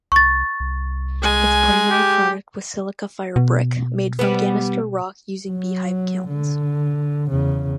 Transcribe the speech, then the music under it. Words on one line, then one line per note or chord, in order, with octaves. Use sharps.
Its primary product was silica fire brick made from ganister rock, using beehive kilns.
C2 C#6 A6
C2
G#3 G#5
G4
B2
G3 B3
F#3
D3
E2 C#3